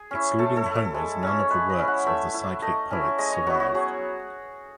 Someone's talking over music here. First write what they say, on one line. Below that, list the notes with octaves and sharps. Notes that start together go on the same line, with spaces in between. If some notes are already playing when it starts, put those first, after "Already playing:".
Excluding Homer's, none of the works of the cyclic poets survive.
Already playing: G#4
C#4 E4
A3 A4
A4
E4
A4
G#3
C#4 E4
C#5
G#3 B4
D#5
C#4 E4
F#5
A3 E5
E4
A3 D#5
C#4 E4
G#3 D#5
C#5
B3 E4 F#4
F#4
F#3 G#4